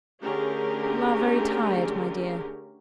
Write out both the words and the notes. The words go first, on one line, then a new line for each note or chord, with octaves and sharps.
You are very tired, my dear.'
D3 A3 C#4 G4 G#4 A#4